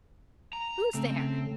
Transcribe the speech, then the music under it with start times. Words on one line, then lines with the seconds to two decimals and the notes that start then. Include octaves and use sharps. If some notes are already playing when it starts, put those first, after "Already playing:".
Who's there!
0.53 A#5
0.95 C#3 A3 C4